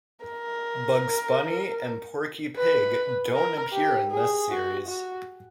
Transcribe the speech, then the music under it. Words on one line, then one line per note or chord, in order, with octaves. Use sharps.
Bugs Bunny and Porky Pig don't appear in this series.
A#4
B4
A#4
G4
G#4
F#4
F#4